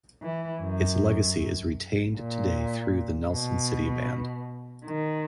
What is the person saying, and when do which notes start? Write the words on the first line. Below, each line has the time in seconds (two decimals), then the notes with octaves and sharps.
Its legacy is retained today through the Nelson City Band.
0.22 E3
0.61 F#2
2.16 A#2
3.31 B2
4.86 D#3